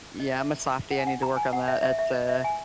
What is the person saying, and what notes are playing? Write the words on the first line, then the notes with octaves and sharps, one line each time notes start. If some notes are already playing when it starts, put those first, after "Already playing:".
Yeah, I'm a softy, I need to work on that, it's, uh,
D#5
E5
F#5
G#5
F#5
A#5
G#5
F#5
E5
E5
E5
D#5
E5
G#5